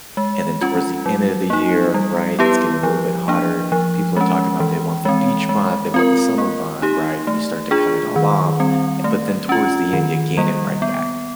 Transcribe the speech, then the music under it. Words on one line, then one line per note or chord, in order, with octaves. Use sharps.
And then towards the end of the year, right, it's getting a little bit hotter, people are talking about, "They want their beach bod, they want the summer bod," right? And you start to cut it all off, e but then towards the end, you gain it right back.
G#3
C#4 F4
F#3
A#3 D#4
G3
B3 E4 G4 B4
F3
A#3 D4
F3
G#3 C#4
E3
G#3 C4
G#3
C4 F4 A#4
A#3
D#4 G4
A3
D4 F4 G#4
D#3
G3 C4
A3
C#4 F4
D#3
G3 A#3
B3